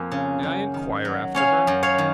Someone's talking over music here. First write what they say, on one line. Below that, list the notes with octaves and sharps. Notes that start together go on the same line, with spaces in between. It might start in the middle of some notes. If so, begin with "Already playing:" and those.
May I enquire after her?
Already playing: F2 F3 A#3 G#5
C#3
F#2
D#3
F#3
C#4 C#5 F5
F#2
C#5 F5
D#3